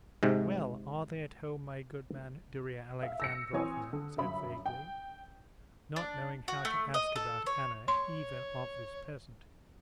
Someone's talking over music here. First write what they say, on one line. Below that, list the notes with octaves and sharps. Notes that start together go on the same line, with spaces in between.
"Well, are they at home, my good man?" Darya Alexandrovna said vaguely, not knowing how to ask about Anna, even of this peasant.
G#2 C3 G#3
E5 F5
E6 A#6 C#7
E3 C4 C#5 G#5 D#6
D3
G1 F#2 E5 B5
G5
D4
F#4
A3
D#5
A4
C#5
C#5 C6